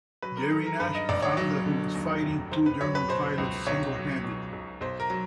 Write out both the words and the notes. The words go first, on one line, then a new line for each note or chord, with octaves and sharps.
Gerry Nash found that he was fighting two German pilots single-handed.
F#3 B4
A#4
D#3 A4
A#4
G2 B4
D#5
A1 D5
C#5
F#3
D3
D#2
F1
C#2 C5
B4
F#3 C#5
B4
B2 C5
C#2
B1 C#5
F#3
B2
B1
B1 C5
A#4
F#3